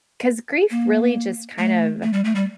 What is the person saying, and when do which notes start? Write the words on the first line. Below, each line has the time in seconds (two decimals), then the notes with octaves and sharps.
'cause grief really just kind of
0.71 A#3
1.58 A3
2.03 A3
2.13 G3
2.25 A3
2.35 G3